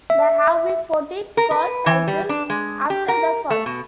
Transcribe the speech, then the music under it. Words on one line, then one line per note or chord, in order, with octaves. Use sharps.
There have been fourteen "Carl" titles after the first.
E5
A#4
B4
E3
G3
D4
G#3
G4
A#4
A3
B2